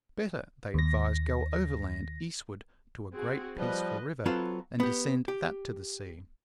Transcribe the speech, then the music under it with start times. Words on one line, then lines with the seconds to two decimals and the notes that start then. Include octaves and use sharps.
Better, they advised, go overland eastward to a great peaceful river and descend that to the sea.
0.74 D#2 A#6
3.13 C4 F#4 G#4
3.57 F3 G3 B4 D#5
4.26 F#3 C4 F4 A4 B4
4.80 B3 G4
5.28 G4